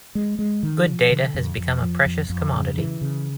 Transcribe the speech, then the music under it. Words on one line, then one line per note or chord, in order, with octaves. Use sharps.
Good data has become a precious commodity.
G#3
G#3
D#3
F3
D3
F2
F2
F3
F2
F2
C#3
E3
C#3